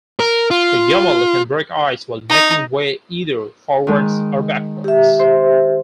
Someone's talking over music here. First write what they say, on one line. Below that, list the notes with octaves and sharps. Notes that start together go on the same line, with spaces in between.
The "Yamal" can break ice while making way either forwards or backwards.
A#4
F4
D#4
D#3 G#3
G4 E5
C5